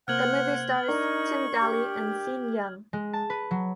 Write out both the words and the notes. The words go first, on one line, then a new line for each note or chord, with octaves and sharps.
The movie stars Tim Daly and Sean Young.
C3 A#3 C5 F#5 F6 G#6 F#7
D4 D#4 A#4 D5 C#6
G4
G#3
A5
B4
F#3